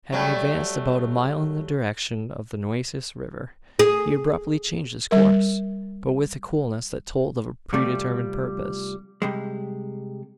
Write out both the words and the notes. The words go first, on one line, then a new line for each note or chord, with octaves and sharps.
Having advanced about a mile in the direction of the Nueces river, he abruptly changed his course; but with a coolness that told of a predetermined purpose.
F#3 G3 A3
G#4
G3 A#4
C3 F3 G3 A3 G4
C3 G3 G#3